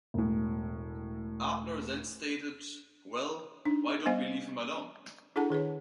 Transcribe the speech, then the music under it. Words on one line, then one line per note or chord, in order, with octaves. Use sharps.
Adler then stated, Well, why don't we leave him alone.
E1 A2
D4 D#4
G3 B3 C5 D#5 F5 G#5
D4 E4 G#4 A4 F#5 A5
D#3 G#4 B4 C#5